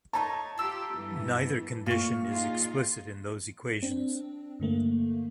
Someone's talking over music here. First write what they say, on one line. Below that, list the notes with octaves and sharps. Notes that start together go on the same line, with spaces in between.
Neither condition is explicit in those equations.
A3 D#4 C#5 A5 A#5
F4 G4 A4 E6
G2 E3 B3
A#2 A3 F5 C#6
D#4 F4 G#4
C4 D4
G2 D3 A3 A#3